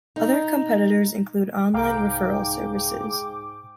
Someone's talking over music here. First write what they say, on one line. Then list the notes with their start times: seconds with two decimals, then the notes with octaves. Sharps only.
Other competitors include online referral services.
0.16 D#4
1.74 C2 G#2 G#4 F5 G5 A#5 D6